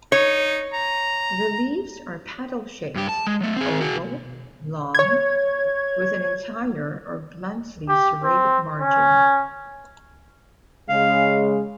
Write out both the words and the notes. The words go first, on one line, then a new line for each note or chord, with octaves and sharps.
The leaves are paddle-shaped oval, long, with an entire or bluntly serrated margin.
D#4 C#5
A#5
G2 G4
A5
G#3
F#3 A3
C4 G#4
F#4 G#4
C#5 G#6
G4
C4
C#4
C#3 G#3 F5